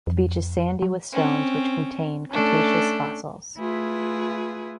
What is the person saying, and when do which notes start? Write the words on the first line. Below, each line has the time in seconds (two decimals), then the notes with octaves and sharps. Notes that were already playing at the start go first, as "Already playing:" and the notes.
The beach is sandy with stones which contain Cretaceous fossils.
0.07 F2
0.82 F#3
1.14 C4 C#4
2.33 A3 C#4 D4 A4
3.56 A3 E4 F4 G#4 B4